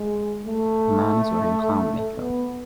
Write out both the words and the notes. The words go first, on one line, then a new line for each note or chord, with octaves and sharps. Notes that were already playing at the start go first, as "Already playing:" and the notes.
A man is wearing clown makeup.
Already playing: G#3
A3
B3